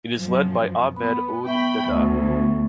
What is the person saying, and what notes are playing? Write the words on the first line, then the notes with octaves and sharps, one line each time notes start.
It is led by Ahmed Ould Daddah.
F#2 F3
B3 B5
B3 E5 G5 B5 C#6
D2